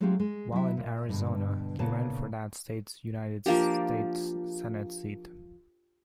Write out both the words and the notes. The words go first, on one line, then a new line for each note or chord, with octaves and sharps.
While in Arizona he ran for that state's United States Senate Seat.
F#3 G#3 A3 C#4 F4 G4
G#3
F#3 E4
A#2
G2 B2 D3
A#2 C#3 B3 D#4 C#5 A5
F3 A#3 D4 G4